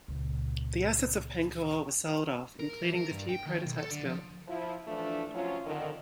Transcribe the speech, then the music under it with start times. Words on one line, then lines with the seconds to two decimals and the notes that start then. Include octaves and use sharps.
The assets of Pancor were sold off, including the few prototypes built.
0.08 C#2 A#2
2.59 A#4
2.83 E3
2.95 A#4
3.11 G2
3.29 G5
3.46 D#3
3.66 B1
3.77 A4
3.91 D3
4.05 F3
4.48 F3 E4
4.87 E3 F3 A3 D4
5.34 F3 F#3 C#4 F4
5.66 F2 D3 D#3